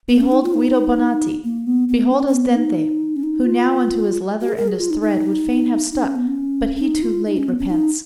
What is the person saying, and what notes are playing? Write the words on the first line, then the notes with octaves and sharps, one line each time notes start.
Behold Guido Bonatti, behold Asdente, Who now unto his leather and his thread Would fain have stuck, but he too late repents.
B3
C#4
D#4
F4
D#4
A#3
B3
B3
C#4
C#4
B3
D#4
C#4
D#4
F4
F#4
G#4
A#4
G#4
F4
D#4
D#4
D#4
C#4
B3
C#4
C#4
D#4
F4
D#4
C#4
B3
C#4
D#4